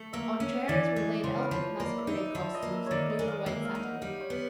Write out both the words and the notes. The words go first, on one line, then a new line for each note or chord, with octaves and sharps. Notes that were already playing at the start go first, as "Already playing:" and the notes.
On chairs were laid elegant masquerade costumes of blue and white satin.
Already playing: A3
A#3 E5
C#4
E3 D5
G#3
C#3 C5
A#4 B4
F3
C#5
A#3 D5
E5
D#4
D5
F3 E5
D#5
A#3
E5
D#3 C#5 D5
D#5
G#3
F5
A#3 E5
F5
D#4
F#5
F#5
G3 F5
C#5
B3